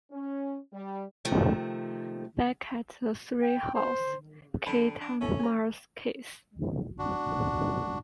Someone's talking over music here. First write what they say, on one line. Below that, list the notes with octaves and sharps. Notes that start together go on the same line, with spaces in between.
Back at the treehouse, Kate and Mars kiss.
C#4
G3
C3 D#3 F3 A3
G5
C5
F2 D3 B5
D4
C#4 E4 A4
G#5 A#5
D4 F#4